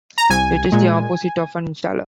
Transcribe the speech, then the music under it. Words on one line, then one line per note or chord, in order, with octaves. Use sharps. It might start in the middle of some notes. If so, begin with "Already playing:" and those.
It is the opposite of an installer.
A#5
C2 G#5
A#2 G#3